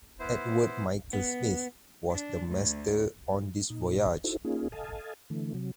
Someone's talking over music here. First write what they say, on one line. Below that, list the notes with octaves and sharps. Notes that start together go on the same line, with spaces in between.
Edward Michael Smith was the master on this voyage.
B3 E4 C5
B3
D4
D2
A#2 D#4
D#4 E4 F#4 A4 C5
A#3 C#4 D#4 F4 G#4
A4 D#5 F5 G#5 A5
D3 E3 A3
C3 F#3